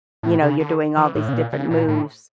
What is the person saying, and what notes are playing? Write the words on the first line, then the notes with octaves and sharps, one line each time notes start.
you know, you're doing all these different moves.
A2
C#3
D3
E3
A2
C#3
A#2
C#3
A#2
A2